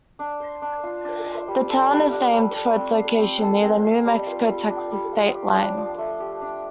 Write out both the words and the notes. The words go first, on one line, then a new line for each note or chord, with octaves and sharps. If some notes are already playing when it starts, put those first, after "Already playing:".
The town is named for its location near the New Mexico-Texas state line.
D4
C5
D4
F4
D4
C5
G3
A4
G3
D4
G3
A4
C4
F5
C4
A4
C4
F5
G3
F4
G3
D4
G3
F4
G4
D4
F3
A3
G4
D4